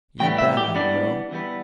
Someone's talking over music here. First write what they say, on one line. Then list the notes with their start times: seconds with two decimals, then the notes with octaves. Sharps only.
You bet I will!
0.20 A2 E3 G3 B3 G5
0.38 E5
0.57 G4
0.75 E2 E3 G3 B3 D4
1.31 E2 E3 G3 B3